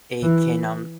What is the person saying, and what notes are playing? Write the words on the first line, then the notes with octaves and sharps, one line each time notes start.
it can, um
E3